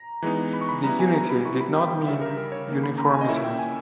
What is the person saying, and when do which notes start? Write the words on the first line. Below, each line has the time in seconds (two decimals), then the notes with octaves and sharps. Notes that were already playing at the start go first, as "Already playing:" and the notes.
The unity did not mean uniformity.
Already playing: A#5
0.22 E3 G#3 B3 D#4
0.53 B5
0.61 C#6
0.69 B5
0.84 G3 B3 E4 A#5
1.00 G#5
1.14 A#5
1.30 B5
1.45 G3 B3 E4 C#6
1.60 B5
1.76 G5
1.91 G5
2.06 C#3 G3 C#4 E5
2.21 A#4
2.37 A#4
2.52 C#5
2.68 D#3 A#3 C#4
2.83 B5
2.98 A#5
3.14 G#5
3.21 D#5
3.28 A#2 A#3 C#4 E4 E5
3.44 G5
3.59 G#5